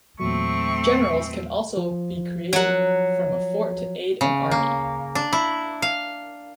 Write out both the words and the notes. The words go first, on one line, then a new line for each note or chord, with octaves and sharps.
Generals can also be created from a fort to aid an army.
E2 A#2 F#3 A3 C4 C#6
F3
F#3 F#5
C#3
A#3
D4
E4
F5